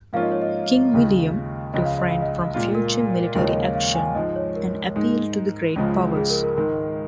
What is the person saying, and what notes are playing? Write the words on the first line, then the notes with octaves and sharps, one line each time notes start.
King William refrained from future military action and appealed to the Great Powers.
G#2 F3 A#3 C#4 F4 F5
D#5
C#5
D#5
D#2 C#3 G#3 F4
C#2 C#3 F3 G#3 D#5
F5
D#5
F5
D#5
A#2 G#3 F4 F5
A#4
A#4
D#2 C#3 F3 G#3 F4 A#4
C#5
D#5
F5
F5
G#5
G#2 F3 G#3 D#5
C#5
A#4
G#2 G#3 D#4
C#2 C#3 F3 G#3
G#4
A#4
A#4
G#2 D#3 G#3 A#4